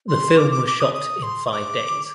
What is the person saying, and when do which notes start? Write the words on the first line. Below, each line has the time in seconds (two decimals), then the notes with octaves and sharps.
The film was shot in five days.
0.08 C6
0.37 D6
0.51 D6
0.66 D6
0.80 D#6
0.94 D#6
1.22 C6
1.47 D#6
1.51 D6